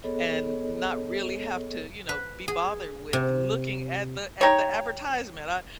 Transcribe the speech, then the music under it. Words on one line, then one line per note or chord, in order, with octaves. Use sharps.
and not really have to, you know, be bothered with looking at the at the advertisement. I
B3 G#4 A4 C#5 D#5
B4
G#4
C3
D#4 G4 C#5